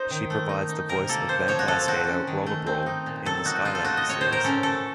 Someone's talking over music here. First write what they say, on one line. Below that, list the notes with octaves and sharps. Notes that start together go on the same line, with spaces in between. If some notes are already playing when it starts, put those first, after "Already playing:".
She provides the voice of vampire skater Roller Brawl in the "Skylanders" series.
Already playing: D#4 C5
D#3
A3
D#4
D#4
C3 A#4
A#3 A4
A#3 C5
F3 C#5
F#4
F3 A4
C4 F#4
C#4
D#3
A3
C4
D#4
A#2
F#3 A4
D#4 F#4
D#4 F4
A4
A3 F#4
D#5
A2 C#5
A2 C5
A#4
C#4 A4
A3 A4